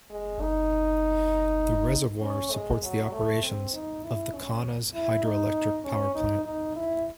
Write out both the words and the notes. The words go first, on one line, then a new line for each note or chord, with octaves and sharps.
The reservoir supports the operations of the Kaunas Hydroelectric Power Plant.
G#3
D#4
C#4
G#3
F#3
A3
C4
D#4
E4
C#4
E4
D#4
C#4
D#4
D#4
E4